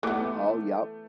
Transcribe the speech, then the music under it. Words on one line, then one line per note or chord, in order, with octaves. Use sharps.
Oh, yep.
E3 A3 B3 D6